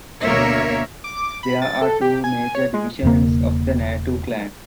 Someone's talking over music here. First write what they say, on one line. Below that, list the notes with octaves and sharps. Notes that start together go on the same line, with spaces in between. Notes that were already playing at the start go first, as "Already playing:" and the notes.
There are two major divisions of the Natu clan.
D2 B2 A#3 A#4 C#5 E5
D6
B5
A6
A4
G4
G#5
C#5
G#3
E1 C#3 A#3